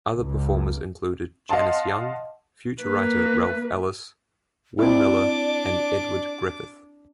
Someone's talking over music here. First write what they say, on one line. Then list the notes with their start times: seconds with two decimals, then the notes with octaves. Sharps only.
Other performers included Janis Young, future writer Ralph Ellis, Wynne Miller, and Edward Griffith.
0.17 C#2
1.49 D#5 F5 F#5 A5 C6
2.83 A#3 B4
4.79 C4 D4 E4 D5 D6